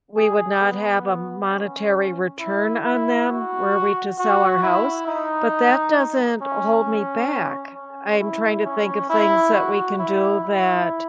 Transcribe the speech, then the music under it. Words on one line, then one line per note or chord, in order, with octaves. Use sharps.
we would not have a monetary return on them were we to sell our house, but that doesn't hold me back. I'm trying to think of things that we can do that
G#4
B3
C#4
E4
E4
F#4
F#4
E4
D#4
C#4
C#4
E4
C#4
E4
F#4
E4
E4